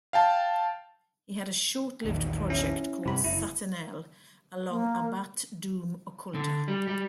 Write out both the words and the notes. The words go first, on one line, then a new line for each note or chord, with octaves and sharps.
He had a short lived project called Satanel, along Abbath Doom Occulta.
F5 G5 A5
A#1 E2 D#3
C#4 E4
G2 C3 B5
F#1 E4
A#3
D3
G3
G3